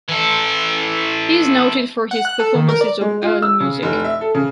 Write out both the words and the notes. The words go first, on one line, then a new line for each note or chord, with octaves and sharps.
He is noted for his performances of early music.
E3 A4
F#5
F#6
A4
D#3
A#4
D5
G#3
F4
E6
C#3
F1
E5
A4
C#3